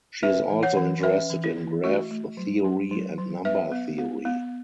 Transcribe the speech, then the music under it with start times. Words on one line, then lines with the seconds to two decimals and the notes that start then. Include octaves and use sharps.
She is also interested in graph theory and number theory.
0.23 C#4 B4 E5
0.50 E3
0.63 C#5 F#5
0.77 E3
1.03 C#4 B4 E5
1.30 E3
1.44 E4
1.57 E3
1.84 A3 F#4
2.11 A3
2.37 F#3
2.64 F#3
2.91 F#3
3.18 F#3
3.45 B3 B4 E5
3.72 B3
3.98 B3
4.25 B3